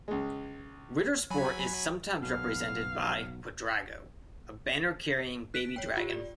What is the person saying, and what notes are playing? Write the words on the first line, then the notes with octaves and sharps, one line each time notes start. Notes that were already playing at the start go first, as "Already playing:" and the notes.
Ritter Sport is sometimes represented by "Quadrago", a banner-carrying baby dragon.
C#2 G#3
F#3 G#5 B5
B1 B2 F5
F#6 B6 D7
C#5 G5
F4 G4
D5